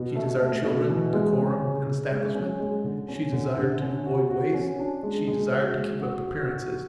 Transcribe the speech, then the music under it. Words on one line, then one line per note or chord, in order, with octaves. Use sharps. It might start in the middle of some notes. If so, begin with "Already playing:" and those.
She desired children, decorum, an establishment; she desired to avoid waste, she desired to keep up appearances.
Already playing: B2
A3
A3
B2
E3
G#3
C#4
C#3
C#3
G#3
C#4
G#3
D3
C#4
D3
D3
C#4
F#4
F#4
C#4
D4
G#3
G#3
F#4
G#3
F#4
F#4
F#4